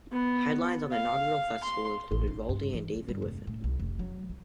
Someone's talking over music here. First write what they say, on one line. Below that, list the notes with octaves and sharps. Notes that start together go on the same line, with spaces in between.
Headliners on the inaugural festival included Valdy and David Wiffen.
B3
F5
C6
A1
D#4
G2
E3
C#3
G2
F1
A2
C2
F1
F#3
F#3